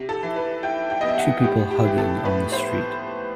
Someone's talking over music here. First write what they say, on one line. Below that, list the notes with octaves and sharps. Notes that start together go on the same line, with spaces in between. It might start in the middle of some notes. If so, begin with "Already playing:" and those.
Two people hugging on the street.
Already playing: C3
A4
E3
B4
E4 G5
G5
B3 D#5
E5
F#5
A2 G4
G4
E3 G4
A4
A2 B4
C5